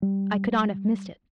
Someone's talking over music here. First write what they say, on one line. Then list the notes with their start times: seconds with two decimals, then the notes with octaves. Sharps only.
I could not have missed it.
0.02 G3